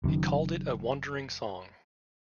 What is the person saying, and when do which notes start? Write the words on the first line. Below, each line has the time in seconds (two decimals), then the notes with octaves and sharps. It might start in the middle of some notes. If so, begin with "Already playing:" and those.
He called it a wandering song.
0.04 F#1 F#2 A2 D#3